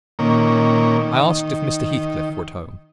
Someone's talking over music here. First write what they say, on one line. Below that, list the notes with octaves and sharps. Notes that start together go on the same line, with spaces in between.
I asked if Mr. Heathcliff were at home?
A#2 D#3 A#3 C#4
D#3